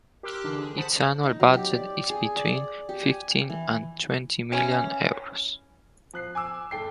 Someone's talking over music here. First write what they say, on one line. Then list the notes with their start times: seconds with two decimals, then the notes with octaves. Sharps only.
Its annual budget is between fifteen and twenty million euros.
0.23 G4 A#4 C6 D6 E6 F#6
0.44 D3 E3 D4
0.57 G#4
0.77 C5 F#5 A5 B5 D#6 B6
1.23 D#4
1.40 F#3
1.54 G4
1.71 D5
2.10 G#4
2.36 D5
2.89 G4
3.03 G#5
3.50 E3
4.52 E3 C#4
6.13 F3 F#6 C7
6.35 G#5 D6 E6
6.71 G1 A4 G5 C7